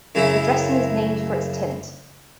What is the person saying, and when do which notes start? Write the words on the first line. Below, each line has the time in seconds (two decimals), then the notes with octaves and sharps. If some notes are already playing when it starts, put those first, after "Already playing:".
The dressing is named for its tint.
0.15 F#2 C#3 E4